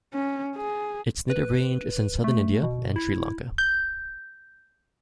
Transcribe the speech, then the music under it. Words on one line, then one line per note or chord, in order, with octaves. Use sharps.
Its native range is in southern India and Sri Lanka.
C#4
G#4
B4
A3
B2
E4
G6